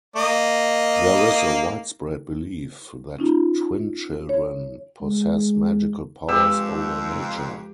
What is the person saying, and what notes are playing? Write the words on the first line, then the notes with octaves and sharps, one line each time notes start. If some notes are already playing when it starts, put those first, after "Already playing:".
There is a widespread belief that twin children possess magical powers over nature.
A#3 D#5
C#4 D#4 F4
C#5
G#3
F2 G#3 G4 B4 E6